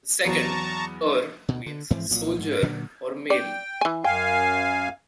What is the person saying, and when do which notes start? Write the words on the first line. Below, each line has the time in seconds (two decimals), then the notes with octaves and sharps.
The second, "er" means soldier or male.
0.25 E2 F#3 B3 A5 A#5 C#6
1.48 D2 B2
1.66 D3
1.91 G#2 E3 F3 C4
2.10 C2 A#2 F3 F#3
2.40 G#2
2.62 A#2 D3 F#3 D4
3.30 D5 G5
3.81 E3 G#5
4.04 F#2 F5 G5 G#5